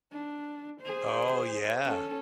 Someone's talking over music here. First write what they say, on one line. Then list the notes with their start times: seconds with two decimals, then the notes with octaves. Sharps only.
Oh, yeah.
0.12 D4
0.81 G#4 C5
1.85 C#4 A4